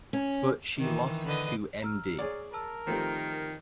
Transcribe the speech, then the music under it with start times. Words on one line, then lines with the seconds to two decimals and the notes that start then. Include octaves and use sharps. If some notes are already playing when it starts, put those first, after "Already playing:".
But she lost to Md.
0.13 C#4
0.78 D#3 E3
1.24 D3 B4 D#5
1.82 A#5 E6 F6
2.18 G#4 C#5 D5
2.54 A#4 A5 E6
2.87 D#3 F3 A3 C4 G4 A#5